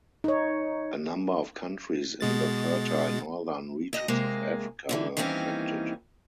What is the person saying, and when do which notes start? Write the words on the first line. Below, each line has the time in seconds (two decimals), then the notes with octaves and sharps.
A number of countries in the fertile northern regions of Africa were affected.
0.24 D#4 C#5
2.21 B2 G#3 A6
3.93 D#2 D#5
4.08 C3 G#3 A#3 G#4
4.89 D#2 D3 E3
5.17 D#3 E3 G3 A#3 C4 C#4